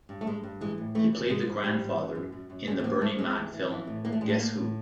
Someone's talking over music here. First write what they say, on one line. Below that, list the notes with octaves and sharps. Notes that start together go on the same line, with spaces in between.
He played the grandfather in the Bernie Mac film "Guess Who".
G2
A3
G2 G#3
G2
E3 G#3
A2
E3 A3
E3
G#2 G#3
F3
F3 G3
G#2
F#2
F#2
F#2
F#2
D#2 G#3
A3
F3 A#3
F3 A3
D#2 G#3
E3
E3
E3
A2
E3 A#3
A3
A2 G#3
A3
A2 A#3
A2